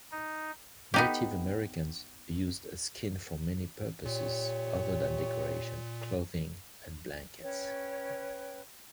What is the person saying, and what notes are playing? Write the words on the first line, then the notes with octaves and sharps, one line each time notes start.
Native Americans used skin for many purposes other than decoration, clothing and blankets.
D#4
B3 D#4 G4
F#2 A#2 G4 C#5
C#4 B4 C#5 G5